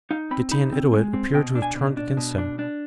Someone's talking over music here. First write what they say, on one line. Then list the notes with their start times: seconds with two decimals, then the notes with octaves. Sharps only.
Getanittowit appeared to have turned against him.
0.11 D#4 F5
0.31 C4 B5
0.51 D#4 B5
0.72 C4
0.93 G#3
1.13 C4
1.34 B2 G5
1.55 D4
1.62 G#5
1.75 B2
1.97 D4
2.17 B2
2.38 D4
2.59 D4